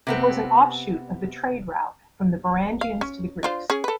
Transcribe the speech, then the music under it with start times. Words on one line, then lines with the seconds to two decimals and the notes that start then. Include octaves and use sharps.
It was an offshoot of the trade route from the Varangians to the Greeks.
0.07 C3 B3 C4
2.81 F5
3.01 C#4
3.43 D4 F4 C5
3.70 C#4 G#4
3.84 A4 B4